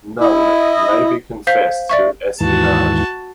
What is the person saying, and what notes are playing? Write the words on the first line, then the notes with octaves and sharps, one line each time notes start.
Nunn May confessed to espionage.
E4 D#5
C5 F5 G6 B6
D5 E5 C#6
D#2 G#2 E3 F#4 A5